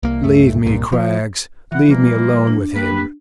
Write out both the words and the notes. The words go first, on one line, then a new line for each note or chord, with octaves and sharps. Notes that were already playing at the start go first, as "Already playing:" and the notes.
"Leave me, Craggs--leave me alone with him."
C2 A#3
C#2 G2 A3
C2 G2 A#2
F3
E3 E4 F#5
E3 F3 G3 A#3
D4
A#3 G4 B4